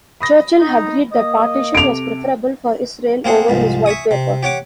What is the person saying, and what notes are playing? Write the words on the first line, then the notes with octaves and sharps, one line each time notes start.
Churchill agreed that Partition was preferable for Israel over his White Paper.
B5 D#6 A#6
D#4
A#3 D#5
C3 A4 D6 D7 F7
A#3 C4 G#4 F#5
C2 F2 G#2
E5 G#5 C#6 D#6
C3
G4 C#5 F#5 D6